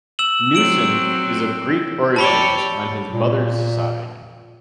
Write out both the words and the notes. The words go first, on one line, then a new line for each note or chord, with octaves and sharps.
Newson is of Greek origins on his mother's side.
E6 E7 F#7
F#3 C4 E6 D7 F#7
G4 C#5 D5 A5 B5 G7
A#2